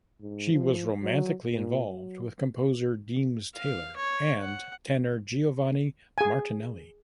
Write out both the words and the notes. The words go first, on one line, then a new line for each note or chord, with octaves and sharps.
She was romantically involved with composer Deems Taylor and tenor Giovanni Martinelli.
G#2
F3
F#3
A#2
F#3
F5
C#5
F#5
G#4 G#5